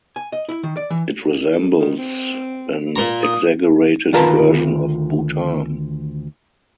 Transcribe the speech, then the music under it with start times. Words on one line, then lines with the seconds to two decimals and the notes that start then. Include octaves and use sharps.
It resembles an exaggerated version of Bhutan.
0.16 G#5
0.32 D#5
0.49 E4
0.63 D#3
0.77 D5
0.90 E3
1.52 A4
1.79 D#3
1.99 C4
2.96 A#2 A#5
3.24 A#3 D#6
4.13 D2 D#3 F4 A#4 B4 A5